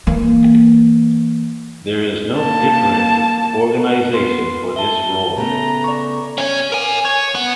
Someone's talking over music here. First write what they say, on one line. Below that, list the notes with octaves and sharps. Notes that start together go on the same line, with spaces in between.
There is no different organization for this role.
E3 A#3
A#3 A5
F#5
B3 B4 C6
E5 A5 G7
C#3 A3 B3 A#5
D5 C#6
C#4 C#5
A#4 G#5
C#5
B3 F#5